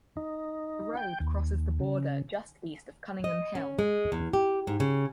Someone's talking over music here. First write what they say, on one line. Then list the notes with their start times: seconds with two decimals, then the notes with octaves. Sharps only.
The road crosses the border just east of Cunningham Hill.
0.17 D#4
0.97 G5
1.20 D#2
1.80 C#3
3.24 D#5
3.55 C#4
3.79 G#3
4.12 E2
4.33 G4
4.67 G#2
4.80 C#3